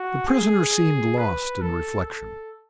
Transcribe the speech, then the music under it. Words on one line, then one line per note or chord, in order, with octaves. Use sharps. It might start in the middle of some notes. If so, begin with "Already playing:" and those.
The prisoner seemed lost in reflection.
Already playing: F#4
G#4
B4
A4
A4